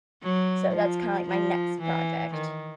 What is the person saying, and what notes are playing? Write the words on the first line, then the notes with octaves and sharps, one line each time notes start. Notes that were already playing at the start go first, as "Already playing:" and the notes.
So that's kinda, like, my next project.
F#3
F3
F3
E3
D#3